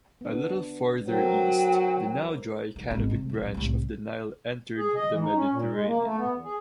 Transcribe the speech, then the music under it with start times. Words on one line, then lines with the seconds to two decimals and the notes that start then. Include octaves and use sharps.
A little farther east, the now-dry Canopic branch of the Nile entered the Mediterranean.
0.21 B3 D4
1.07 F#3 F#4 A4 A#4 C5 G5
2.76 D#3
2.91 G#1 B2
3.11 C3
3.29 A#1 F2
3.42 A#1
3.54 C2 A2
4.78 G#4
4.95 D#5
5.11 E3
5.23 D#4
5.35 C#4
5.51 A#2
5.72 G#3
5.86 A#3
6.04 A3
6.18 B3
6.32 E2
6.44 G#4